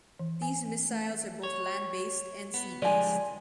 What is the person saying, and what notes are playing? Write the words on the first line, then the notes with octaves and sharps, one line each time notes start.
These missiles are both land based and sea based.
E3
G#5
A3
C#5
B3
F3 G3 G#3 D5 G#5